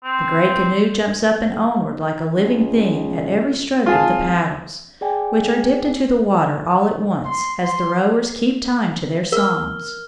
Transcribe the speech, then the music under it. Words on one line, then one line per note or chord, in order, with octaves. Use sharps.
The great canoe jumps up and onward like a living thing at every stroke of the paddles, which are dipped into the water all at once as the rowers keep time to their songs.
C4
C#2
G#1 F4 G#4 A5
G#4 D5 G5 G#5
C6
C6
A#4 F6 G7